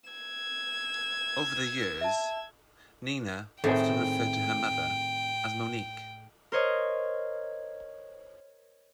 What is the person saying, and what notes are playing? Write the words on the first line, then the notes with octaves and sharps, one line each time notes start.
Over the years, Nina often referred to her mother as "Monique".
E6 G#6
E5 A5
A2 D#3 C4 G#4 G5
A#4 C5 C#5 D#5